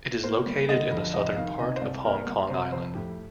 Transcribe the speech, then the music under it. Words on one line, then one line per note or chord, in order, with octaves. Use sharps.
It is located in the southern part of Hong Kong Island.
A#3 C5
G3
D3 D#5
F2
C2 D#5
D#3 F5
C3 D#5
C5
C2 D5
A#3 A#4
G3
C3 C5
F2 C5
A2 G4